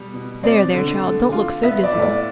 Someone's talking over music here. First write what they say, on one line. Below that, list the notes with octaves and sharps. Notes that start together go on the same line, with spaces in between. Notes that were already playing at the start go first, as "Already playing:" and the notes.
There, there, child, don't look so dismal.
Already playing: B2 G3
B2
C4 D5
D3
A3
F4
B3 E5
D5
A2
D5